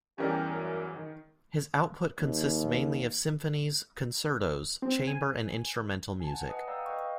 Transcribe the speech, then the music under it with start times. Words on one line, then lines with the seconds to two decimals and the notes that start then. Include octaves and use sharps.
His output consists mainly of symphonies, concertos, chamber and instrumental music.
0.18 E2 G2 E3 C#4 G4 A#4 D5
0.51 F#2
0.96 D#3
2.18 D#2
4.82 C4
5.07 G#5
6.20 G#5 A5
6.34 F#5
6.49 B4 D#5 F#5 D#6
6.68 D5 F5 G5 A#5 D#6 E6
6.86 B4 D#5 G5 C#6
7.04 D#5 F5